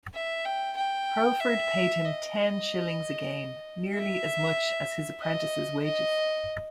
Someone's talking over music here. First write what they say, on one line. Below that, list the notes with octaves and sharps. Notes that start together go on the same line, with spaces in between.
Hurlford paid him ten shillings a game, nearly as much as his apprentice's wages.
E5
G5
G5
E5
D#5
E5
D#5
D#5